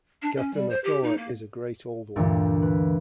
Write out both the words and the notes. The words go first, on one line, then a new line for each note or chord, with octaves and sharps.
Ghatanothoa is a Great Old One.
D4
C#4
G3
C5
G4
D#4
A#3
D2 G2 A#2 E3 A3
B4